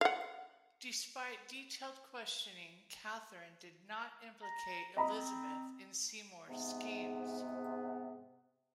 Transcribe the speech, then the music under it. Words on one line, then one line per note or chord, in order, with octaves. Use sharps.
Despite detailed questioning, Katherine did not implicate Elizabeth in Seymour's schemes.
F5 F#5
A#5
C4 D#5 A#5 B5
G#2 C3 B3